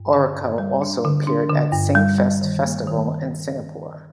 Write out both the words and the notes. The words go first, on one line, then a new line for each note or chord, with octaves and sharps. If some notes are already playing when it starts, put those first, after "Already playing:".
Orrico also appeared at Singfest Festival in Singapore.
Already playing: G2
D3
G2
G3
D4
D3
D4
D3
G2
G3
G3
D#3
A#3
D#3